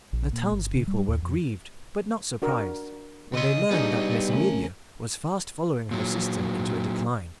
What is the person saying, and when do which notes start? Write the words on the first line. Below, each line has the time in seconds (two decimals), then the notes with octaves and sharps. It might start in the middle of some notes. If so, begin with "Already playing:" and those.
The townspeople were grieved, but not surprised, when they learned that Miss Amelia was fast following her sister into a decline.
0.13 A#1
0.33 A#2
0.51 G1
0.76 C#3
0.87 G3
1.08 D#2
1.22 F2
2.42 D4 F#4 A#4
3.34 C#3 D#5 C6
3.71 G3 B3 D4 D#4 G#4
4.30 C#3 A3 C#4 A#4
5.91 A#2 F#3